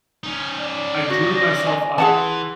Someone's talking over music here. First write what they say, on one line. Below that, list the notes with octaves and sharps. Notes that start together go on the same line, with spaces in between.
I drew myself up.
C#4 D#4
D5
F#4 A#6
D#5 G#5
E3 G#4 F#5 A5 C6